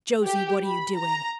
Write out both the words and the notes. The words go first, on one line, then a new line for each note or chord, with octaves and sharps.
"Josie, what are you doing?"
G4
B5
A#5